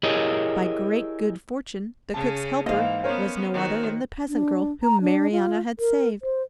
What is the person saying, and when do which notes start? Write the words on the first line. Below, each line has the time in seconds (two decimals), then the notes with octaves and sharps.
By great good fortune, the cook's helper was no other than the peasant girl whom Marianna had saved.
0.03 E4 G4 G#4 A#4 C#5 D#5
2.14 C#3 C#4 A5
2.66 G#2 E3 A#3 D#5 F5
3.04 B3 C#4 A#4 C5 C#5
3.53 D#3 F#4
4.28 D4
4.83 A#5
5.01 D4
5.32 F4
5.79 A#4
6.22 C5